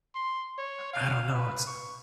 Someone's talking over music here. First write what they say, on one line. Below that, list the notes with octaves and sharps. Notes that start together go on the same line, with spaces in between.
I don't know. It's
C6
C#5
F5
B4
C#6